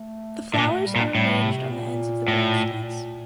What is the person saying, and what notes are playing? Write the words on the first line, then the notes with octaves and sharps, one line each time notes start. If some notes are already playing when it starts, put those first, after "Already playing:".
The flowers are arranged on the ends of the branchlets.
Already playing: A3
A2
A#2 A#3
A3
G3
A#2
A2 G3
C3
A#2
A2
A2
A#2